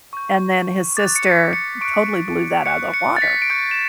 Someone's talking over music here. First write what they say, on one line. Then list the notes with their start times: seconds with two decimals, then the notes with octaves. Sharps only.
and then his sister totally blew that out of the water,
0.13 C#6 G6
0.97 D6 F#6 A6
1.16 C#7
1.25 B6
1.53 C#7
1.81 C#6 F#6 D7
2.66 C#6 F#6 C#7
2.94 C#7
3.16 A6
3.22 B6
3.42 D7
3.50 C#6 G6 C#7
3.71 E7